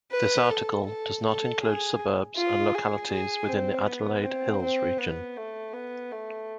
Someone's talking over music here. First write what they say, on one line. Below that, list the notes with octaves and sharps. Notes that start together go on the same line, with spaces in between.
This article does not include suburbs and localities within the Adelaide Hills region.
B4
A4
A4
A4
G#4
F4
G#4
G#4
C4
B3
C4
C4
B3
A3
B3
A3